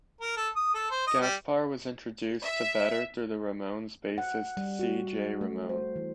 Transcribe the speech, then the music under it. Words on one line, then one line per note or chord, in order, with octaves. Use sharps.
Gaspar was introduced to Vedder through Ramones bassist C. J. Ramone.
A#4
A4
D#6
A4
C5
D#5
G3
E5
F#5
G3
F#4
A3
C5
E3